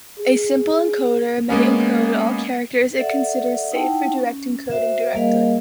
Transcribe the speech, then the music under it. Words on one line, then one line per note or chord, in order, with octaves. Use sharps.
A simple encoder may encode all characters it considers safe for direct encoding directly.
G#4
G#3 A#3 B3 C#4
A4 D5 E5 F#5
D#4 E4 F#5 G5 A5 C6
C#4
F#4 C5 E5
G3 A#3 G#4 A#4 D#5 F5